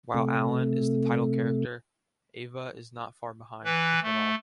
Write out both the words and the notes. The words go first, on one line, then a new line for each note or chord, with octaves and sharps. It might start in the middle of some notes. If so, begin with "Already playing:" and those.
While Allan is the title character, Eva is not far behind, if at all.
C3 A3
E3 B4
A3